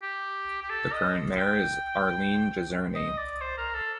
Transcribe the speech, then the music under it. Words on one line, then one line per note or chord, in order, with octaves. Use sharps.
The current mayor is Arlene Jezierny.
G4
G4
A4
D#5
G5
D#5
D5
C5
A#4
A4